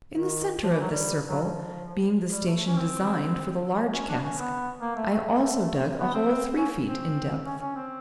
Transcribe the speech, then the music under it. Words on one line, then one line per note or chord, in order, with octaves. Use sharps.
In the centre of this circle, being the station designed for the large cask, I also dug a hole three feet in depth.
D#3
F3
E3
F#3
G3
F#3
F3
G3
A3
A3
C#4
C4
C#4
D4
C#4
B3
A#3
A3
A3
B3
C4
C#4
C4
C#4
C#4
C4